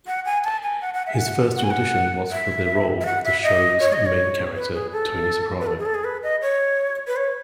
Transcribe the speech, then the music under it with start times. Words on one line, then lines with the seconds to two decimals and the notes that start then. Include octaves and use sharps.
His first audition was for the role of the show's main character, Tony Soprano.
0.07 F#5
0.26 G#5
0.44 A5
0.63 G#5
0.82 F#5
0.94 F#5
1.07 E5
1.14 G#5
1.19 F#5
1.56 F#5
1.64 G#5
1.71 F#5
2.31 E5
3.01 E5
3.06 F#5
3.24 E5
3.43 D#5
3.80 C#5
3.93 D#5
4.06 C#5
4.55 B4
4.74 G#4
4.92 A4
5.61 B4
5.67 A4
5.79 G#4
5.86 A4
5.95 G#4
6.04 B4
6.23 D#5
6.42 C#5
7.07 B4
7.16 C#5